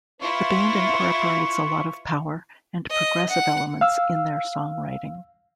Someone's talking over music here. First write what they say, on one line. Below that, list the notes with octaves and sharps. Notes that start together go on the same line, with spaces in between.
The band incorporates a lot of power and progressive elements in their songwriting.
E4 F4 B4 C6 C#6
D#5
F#5
F5 E6